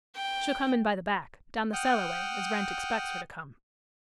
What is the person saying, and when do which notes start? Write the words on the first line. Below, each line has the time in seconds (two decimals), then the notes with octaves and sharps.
She'll come in by the back, down the cellarway, as Wrent expects her to come.
0.16 G5
1.73 F#5 G5 D#6 F6 G6